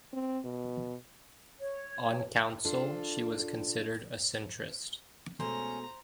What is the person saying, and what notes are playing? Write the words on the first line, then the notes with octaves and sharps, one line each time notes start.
On council, she was considered a centrist.
C4
B2
C#5
D4 F4 A4
B2 G#3 A3 C#4 C5 A#5